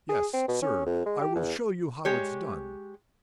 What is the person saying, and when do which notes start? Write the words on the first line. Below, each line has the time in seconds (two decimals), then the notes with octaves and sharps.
Yes, sir, I will show you how it's done.
0.09 G#4
0.33 C4
0.48 B2
0.62 C#4
0.86 F2
1.06 G#3
1.20 G4
1.35 E2
2.05 G#3 G4 C#5